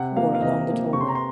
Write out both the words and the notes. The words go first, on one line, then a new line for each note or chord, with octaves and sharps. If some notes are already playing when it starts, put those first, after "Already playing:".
Corps along the Tauber.
Already playing: C3 F#5
F3 A#3 F5
F5
C3 D#5
F3 A#3
C3 C#6
C6
A#5
C6